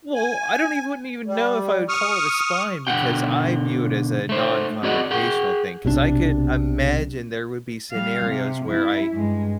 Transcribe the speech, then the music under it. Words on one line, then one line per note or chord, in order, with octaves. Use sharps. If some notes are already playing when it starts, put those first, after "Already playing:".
Well, I don't even wouldn't even know if I would call it a spine, because I view it as a nonconfrontational thing. 'Cause I could imagine there would be scenarios where I
G#5
G3
C#6 D#6 F6
B2 D3 F#5 G5
A3 C5
C4 F#4 G#4 D5 D#5 F#5
G#4 F#5 G5
B1 C3 F3 D4
G3 F5
C3
F#2 E4
G2 G#3